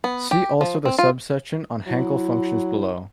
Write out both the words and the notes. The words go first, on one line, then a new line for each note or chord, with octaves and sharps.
See also the subsection on Hankel functions below.
B3
G4
F3
C4
F4
F#3 E4